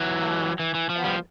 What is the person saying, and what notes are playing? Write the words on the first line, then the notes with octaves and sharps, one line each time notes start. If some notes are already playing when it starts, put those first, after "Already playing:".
uh, and
Already playing: E3 F#3
E3
E3
F3
F3 G3